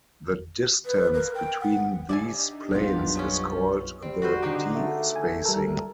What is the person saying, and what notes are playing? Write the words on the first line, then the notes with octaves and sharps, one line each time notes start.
The distance between these planes is called the d-spacing.
B4
A#4
G5
F#5
D4 D#4 G4 D5 E5 G#5
B1 F#2 G3 B3 F4
F#3 G#3 C#4
G3 C4
F#4 B4 C5
D3 D#4 G4 G#4 F#5 D6
A3
G#5
G3 A4 A#4